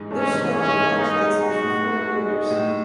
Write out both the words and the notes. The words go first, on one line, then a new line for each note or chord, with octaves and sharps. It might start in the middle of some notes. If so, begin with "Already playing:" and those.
This show was broadcasted for four years.
Already playing: G#2 E3 D#4
A3 C#4
E3
C#4 D#4
G#2
B3 D#4
G#3
D#4 F#4
A2
B3
G#3
D#4
A2